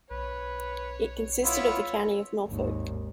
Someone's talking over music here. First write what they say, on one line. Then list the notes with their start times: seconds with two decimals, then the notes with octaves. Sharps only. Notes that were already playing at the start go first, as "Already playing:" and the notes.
It consisted of the county of Norfolk.
0.11 B1 B4 C#5
1.44 B3 E4 F4 C#5
2.48 G#1 D#2